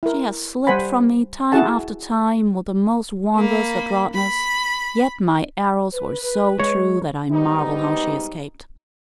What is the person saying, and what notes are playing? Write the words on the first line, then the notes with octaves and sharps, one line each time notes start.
She has slipped from me time after time with the most wondrous adroitness; yet my arrows were so true that I marvel how she escaped.
E4 A#4
G3 C5 F#5 G#5 B5
E4 F#4 G#4 F#5 A5
A#3 B5
B5
B4
G#3 C#5
G#2 G3 B3 D#4